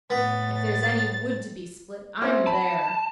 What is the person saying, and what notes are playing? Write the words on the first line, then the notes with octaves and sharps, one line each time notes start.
"If there's any wood to be split, I'm there!"
A2 B3 A6
C4 C#4 E4
A5 B5